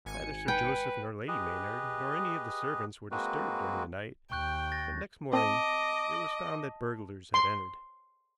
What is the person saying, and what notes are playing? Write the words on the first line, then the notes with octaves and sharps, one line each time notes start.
Neither Sir Joseph nor Lady Maynard nor any of the servants were disturbed during the night, but next morning it was found that burglars had entered.
G#1 G#5 C#7
B4 G5
G4 G#4 B4 D#5
G#3 A#3 C4 F#4 B4
D#2 G5 C#6 F#6 G6
A6 A#6
C4 D#5 A5 D6
C6